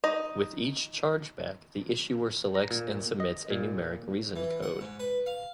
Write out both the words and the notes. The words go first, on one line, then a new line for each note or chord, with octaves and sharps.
With each chargeback the issuer selects and submits a numeric reason code.
D#4 D#5
A#5
A#2
D#5
A#2
E3
F#5
G#2
B4
F5